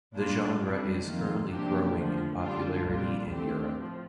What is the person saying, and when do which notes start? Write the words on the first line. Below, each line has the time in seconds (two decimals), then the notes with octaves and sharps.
The genre is currently growing in popularity in Europe.
0.15 A#2 G3 D4 F4
0.60 C3 G3 D4
1.06 F2 D#3 A#3 F4
1.50 C3 F3 A#3 D4 G4
1.96 D2 D3 F3
2.40 D3 G3 D4 F4
2.86 C2 A#2 G3 D4 F4
3.31 D3 A3 C4 G4
3.76 A2 F3